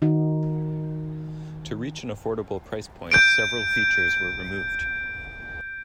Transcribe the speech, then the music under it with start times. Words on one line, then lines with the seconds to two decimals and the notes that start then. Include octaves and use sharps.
To reach an affordable price point, several features were removed.
0.02 D#3 D#4 F#4
3.11 G6 D7